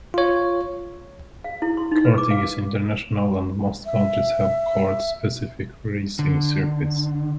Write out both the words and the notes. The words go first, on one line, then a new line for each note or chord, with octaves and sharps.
Karting is international and most countries have kart specific racing circuits.
F4 C#5
F5
E4
C6
D#4
B4
D6
F5
E5
D3